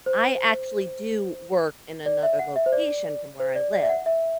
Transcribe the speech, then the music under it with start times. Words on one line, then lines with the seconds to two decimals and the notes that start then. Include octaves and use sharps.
I actually do work in another location from where I live,
0.06 C5
2.06 D5
2.23 E5
2.39 F#5
2.56 E5
2.66 C5
2.73 D5
3.40 C5
3.55 D5
3.73 D5
3.83 E5
3.89 F#5
4.06 E5